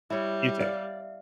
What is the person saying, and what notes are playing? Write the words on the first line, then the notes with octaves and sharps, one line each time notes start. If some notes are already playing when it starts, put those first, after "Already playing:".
You too.
G3 E4 C#5 E5
D5 F5